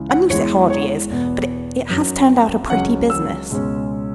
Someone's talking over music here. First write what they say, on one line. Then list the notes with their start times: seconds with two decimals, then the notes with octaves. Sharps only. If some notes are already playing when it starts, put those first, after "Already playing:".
A noose it hardly is, but it has turned out a pretty business.
Already playing: C#2 C#3 E3 G#3
0.10 F#5
0.29 E2 E3 G#3 C#5
0.70 C#5
1.10 E2 B2 B3
1.90 F#2 F#3 C#4
2.70 C#2 C#3 F#3 C#4 F#5
3.10 E6
3.50 C#2 B2 G#3 C#4